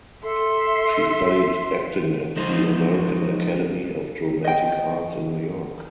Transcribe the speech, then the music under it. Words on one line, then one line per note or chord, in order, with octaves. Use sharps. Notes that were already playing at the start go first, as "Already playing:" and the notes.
She studied acting at the American Academy of Dramatic Arts in New York.
A4 E5 C6
F3 G#3 D#4 C5
D#5 G5